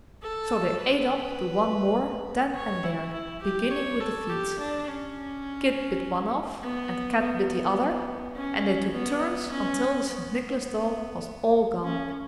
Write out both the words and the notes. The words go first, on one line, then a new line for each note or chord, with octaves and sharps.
So they ate up the one more then and there, beginning with the feet. Kit bit one off, and Kat bit the other; and they took turns until the St. Nicholas doll was all gone.
A4
B4
C#5
E4
E4
G4
C#5
A4
G4
D4
C#4
B3
B3
C#4
B3
C#4
B3
C#4